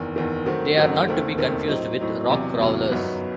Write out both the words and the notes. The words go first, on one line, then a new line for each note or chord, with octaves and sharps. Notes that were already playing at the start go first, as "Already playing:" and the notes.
They are not to be confused with "Rock Crawlers".
Already playing: F#1 E2 D#3
F#1 E2 D#3
F#2 D#3 A3 C4 F#4
F#2 D#3 A3 C4 F#4
E1 D#2 D#3 A3 C4
E1 D#2 D#3 A3 C4
A2 F#3 C4 D#4
A2 F#3 C4 D#4
E2 C3 F#3
E2 C3 F#3
G1 F#2 F#3 B3 D#4